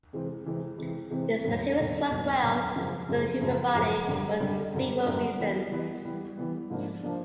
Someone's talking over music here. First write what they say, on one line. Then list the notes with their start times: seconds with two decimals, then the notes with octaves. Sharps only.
These materials work well within the human body for several reasons.
0.13 C3 E3 G#3 C4
0.46 C3 E3 G#3 C4
0.78 C3 E3 G#3 C4
1.11 C3 E3 G#3 C4
1.44 E1 D#2 D3 F#3 B3
1.77 E1 D#2 D3 F#3 B3
2.10 E1 D#2 D3 F#3 B3
2.43 E1 D#2 D3 F#3 B3
2.76 F#2 C#3 F3 G#3
3.09 F#2 C#3 F3 G#3
3.41 F#2 C#3 F3 G#3
3.74 F#2 C#3 F3 G#3
4.08 F#2 D3 G3
4.40 F#2 D3 G3
4.74 F#2 D3 G3
5.06 F#2 D3 G3
5.39 E3 G3 B3
5.71 E3 G3 B3
6.05 E3 G3 B3
6.37 E3 G3 B3
6.70 G#2 F3 A#3 D4
7.03 F3 A#3 D4